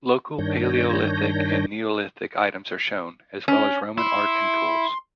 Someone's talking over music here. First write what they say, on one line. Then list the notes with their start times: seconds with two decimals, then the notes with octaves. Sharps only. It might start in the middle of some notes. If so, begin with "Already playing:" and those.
Local Paleolithic and Neolithic items are shown, as well as Roman art and tools.
0.38 G2 D#3 D4 C#5 G6 A#6
3.48 C#4
3.98 E4 C6